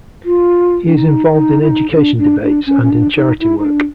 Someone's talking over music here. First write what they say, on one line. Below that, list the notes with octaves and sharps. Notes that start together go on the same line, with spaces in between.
He is involved in education debates and in charity work.
F4
D4
D#4
D#4
E4
D#4
D4
D4
D4
C#4
C#4
D4
D#4
E4
D#4
D4